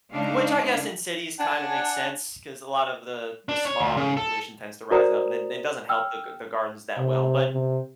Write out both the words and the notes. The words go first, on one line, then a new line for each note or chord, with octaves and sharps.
which I guess in cities kinda makes sense 'cause a lot of the the smog and pollution tends to rise up and it it doesn't help the g the gardens that well, but,
C#3 G#3 D4 D#4 F5
D4 F#5 G#5
D4
C#5
D2
C#3
A4
F#4 A#4 C5 D5 A#5 D#6
G5 E6 F6
C3
C3